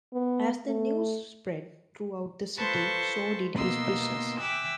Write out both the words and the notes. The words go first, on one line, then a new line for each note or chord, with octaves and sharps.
As the news spread throughout the city, so did his business.
B3
A3
F4 A4 B4 C5 A5 C#6
B2 A#3 B3 D#4 C6 E6
E5 G5 G#5 D6 E6 F#6